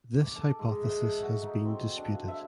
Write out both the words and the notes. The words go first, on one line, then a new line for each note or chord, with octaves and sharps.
This hypothesis has been disputed.
D6
A4
G#2
E5
A4
F#4
D#4
C4
D4
F5
E5